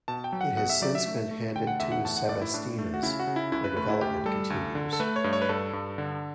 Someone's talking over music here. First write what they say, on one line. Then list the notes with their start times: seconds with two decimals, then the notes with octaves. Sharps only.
It has since been handed to "sebastinas", where development continues.
0.08 B2 A5
0.24 G5
0.32 F#3
0.41 F#5
0.57 B2 F#5
0.70 E5
0.82 F#3 D5
0.95 E5
1.06 A3
1.31 A3
1.55 D3 G5
1.67 F#5
1.80 E2 E5
1.92 F#5
2.05 A2 A5
2.17 F#5
2.29 A2 D5
2.42 E4
2.54 A2 D4
2.78 A3
2.94 F#4
3.03 C#3 E4
3.19 F#4
3.27 C#3
3.36 E4
3.52 C#2 E4
3.64 B4
3.77 A3 B4
3.89 E4
4.01 D2 G4
4.25 G3 A4
4.50 D2
4.75 D3
4.93 A4
5.00 A3 B4
5.16 C#5
5.24 G2
5.33 C#5
5.42 B4
5.49 G2 A4
5.73 G2
5.98 D3